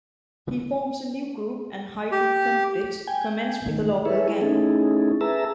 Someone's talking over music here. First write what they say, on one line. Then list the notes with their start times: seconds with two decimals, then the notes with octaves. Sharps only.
He forms a new group and heightened conflicts commence with a local gang.
2.12 G4
3.07 G5 G#5
3.66 D#3 A3
4.05 E4 G#4 A4 B4 C#5 E5
4.41 A3 C#4 D#4 E4 G#4 A4
5.21 G#4 B4 E5 A5 A#5 E6